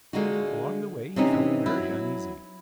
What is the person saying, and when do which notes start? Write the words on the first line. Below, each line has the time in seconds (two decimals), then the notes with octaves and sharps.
Along the way he felt very uneasy.
0.13 D3 G#3 A#3 F4 F#4
1.16 C3 E3 C4 C#4 D#4
1.66 F#3 E4